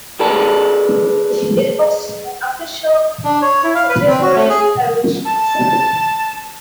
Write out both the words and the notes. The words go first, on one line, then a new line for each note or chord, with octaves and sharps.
It hosts an official Pontesbury Parish website.
G#4 A4 B4 D5 A5
D4
C#5
E4
F5
B4
C4
F#4
A3
G#4
A5